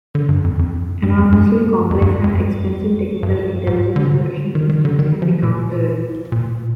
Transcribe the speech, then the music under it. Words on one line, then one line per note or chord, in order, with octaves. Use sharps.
Enormously complex and expensive technical intelligence collection systems can be countered.
D3
G2
F2
F2
G2
F2
G2
F2
G2
F2
G2
F2
G2
G#2
D3
C3
D3
D#3
D#3
D3
D#3
F3
A#2
A#2